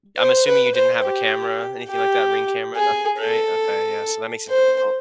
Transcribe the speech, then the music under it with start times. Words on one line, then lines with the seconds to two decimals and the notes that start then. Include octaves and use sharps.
Uh, I'm assuming you didn't have a camera, anything like that, Ring camera, nothing, right? Okay, yeah, so that makes it difficult.
0.17 C5
0.46 B4
0.75 C5
1.03 G4
1.89 G4
2.76 G#4
3.19 A4
4.49 C5